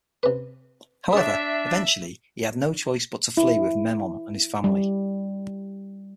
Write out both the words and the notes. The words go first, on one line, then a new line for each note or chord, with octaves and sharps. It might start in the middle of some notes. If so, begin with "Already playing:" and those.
However, eventually, he had no choice but to flee with Memnon and his family.
C3 B4
D4 G#4 C#5 E5
E4
G3